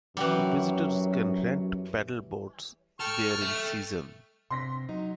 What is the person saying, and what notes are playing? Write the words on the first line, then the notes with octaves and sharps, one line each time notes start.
Visitors can rent pedal boats there in season.
F#2 E3 F#3 G3 F#4
A4 G5 C#6 F6
A3
C3 C6 A#6 B6
F#3 D#4